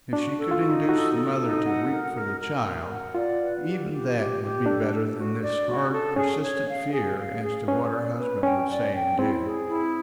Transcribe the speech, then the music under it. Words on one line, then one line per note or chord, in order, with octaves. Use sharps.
If she could induce the mother to weep for the child, even that would be better than this hard, persistent fear as to what her husband would say and do.
D4 F#4
A4
F4
D#4
F#4 A4
A4
D#4
F#5
A#4
A#4
A#4
A#4
F#5
F4 D5
B4
G4
G4
G4
G4
D4 A4
A4
F#4
D5
F#4
A4
C#4 G#4
C#5
F5
G#4
F5
G#4
C#4 B4
D5
B4
C#4 G5
D5
G5
C4 E4
G#4
E4